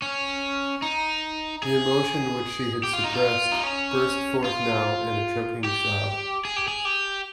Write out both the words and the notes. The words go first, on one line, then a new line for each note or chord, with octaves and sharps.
The emotion which she had suppressed burst forth now in a choking sob.
C#4
D#4
G#4
G4
F4
D#4
F4
D#4
C#4
F4
G4
G#4
G4
G#4
G4